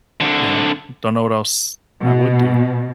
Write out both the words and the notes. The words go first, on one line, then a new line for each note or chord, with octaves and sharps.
you know don't know what else I would do.
C2 D3
B2